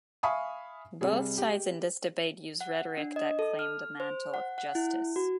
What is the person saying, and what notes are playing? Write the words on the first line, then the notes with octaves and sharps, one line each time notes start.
Both sides in this debate use rhetoric that claims the mantle of "justice".
E5 F5 G#5 B5 C#6 D#6
C3 G3 G#4
G4
F#5
D4
D#5
A4
F6
C5
F#5
F#5
E4
F#4